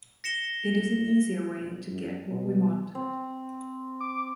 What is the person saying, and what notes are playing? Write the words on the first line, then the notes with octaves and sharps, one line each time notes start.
It is an easier way to get what we want.
A#6 C#7 E7 G7
E1
F#2
B2
C4
D6